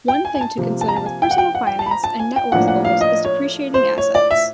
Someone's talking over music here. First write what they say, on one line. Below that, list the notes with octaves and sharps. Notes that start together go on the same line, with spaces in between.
One thing to consider with personal finance and net worth goals is depreciating assets.
G5
G#5
G#5
A5
C3 F3 A#3
A5
A#5
A5
G#5
G5
F#5
G5
F#5
G5
A5
B5
A#5
A5
G#5
G5
A2 F3 A#3 D4 F#5
F#5
F5
D#5
C#5
C5
C#5
D5
E5